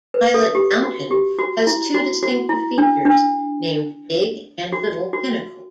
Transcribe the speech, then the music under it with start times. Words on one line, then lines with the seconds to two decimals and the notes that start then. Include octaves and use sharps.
Pilot Mountain has two distinctive features, named Big and Little Pinnacle.
0.14 B4
0.34 A4
0.55 G4
0.83 F#4
1.11 G4
1.39 F#4
1.67 E4
1.94 F#4
2.23 F#4
2.49 E4
2.78 D4
3.05 D4
4.72 F#4
5.13 F#4